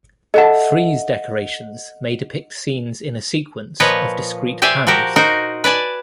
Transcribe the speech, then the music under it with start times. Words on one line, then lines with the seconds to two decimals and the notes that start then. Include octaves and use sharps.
Frieze decorations may depict scenes in a sequence of discrete panels.
0.34 A4 D#5 E5 F#5 A5
3.80 A#2 F3 B4 C#5 D#5
4.62 G4 C5 D5 E5 G#5
4.87 F3 F#4 G4 A#4
5.16 D#4 F#4 A#4 C5
5.64 B4 D5 G#5 A5